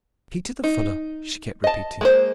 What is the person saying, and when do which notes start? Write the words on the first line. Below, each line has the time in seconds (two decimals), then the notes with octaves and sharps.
"Peter the fuller!" she kept repeating.
0.64 D#4
1.64 D#5 A5
2.01 G#3 A#3 C5